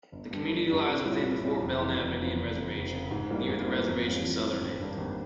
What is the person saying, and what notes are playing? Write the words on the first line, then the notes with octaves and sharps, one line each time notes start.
The community lies within the Fort Belknap Indian Reservation, near the reservation's southern end.
G1
G2 G3
G1
G2 G3
C2
A#2 G3 C#4 E4
C2
A#2 G3 C#4 E4
F1
F2 C#3 E3
F1
F2 C#3 E3
F1
F2 C#3
F1
F2 C#3
G#2
G3 A#3 E4
G#2
G3 A#3 E4
F2
E3 G3 C#4 F4
F2
E3 G3 C#4 F4
G#1
G2 G3 A#3
G#1